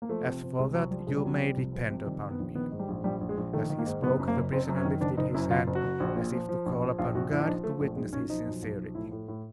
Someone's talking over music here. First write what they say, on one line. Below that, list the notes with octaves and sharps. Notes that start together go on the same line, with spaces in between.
"As for that, you may depend upon me." As he spoke the prisoner lifted his hand, as if to call upon God to witness his sincerity.
A#3
F3 A3
C3
C3
C2 G#3
F3 F#3
F3 G3
C2 G#3
G3
C3 F#3
G3
F3
C2
F3
C3
D#3 G3
D#3
B3
A#1
D#3 B3
G#2
G3
A#1
A#1 G3
A#1
G#3
A#1
D#3 A3
D#3
A#3
G#2
F#1 B3
F#2
A#3
F#1
F#1 C4
F#2
C#4
D#3
F#1 D4
F#1 D#4
F#2 E4
F#1 F4
F#1
F#4
F#1
A#1
A#2
F3
F3
A#1
F3
A#1 F4
A#1 F#4
A#1 E4
D4
F3 D#4
F3 A3
A#1 A3
B1 G#3
B1 C#4
F3 D#4
B1
B1
F3
A2 E4
A2
A2